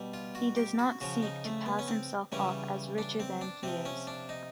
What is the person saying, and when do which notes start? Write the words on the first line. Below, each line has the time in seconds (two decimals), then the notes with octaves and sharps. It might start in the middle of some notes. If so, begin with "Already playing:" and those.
He does not seek to pass himself off as richer than he is.
Already playing: B2 G3
0.14 F4
0.35 F#4
0.56 G4
0.79 F#4
1.01 C#3 F3 F#4
1.23 D#4
1.45 A3
1.66 B3
1.79 C#4
1.88 C4
2.32 C#3 E3 G3 C#4
2.98 D4
3.20 C4
3.41 D4
3.63 C3 F3 C4
3.85 C#4
4.07 D4
4.29 D#4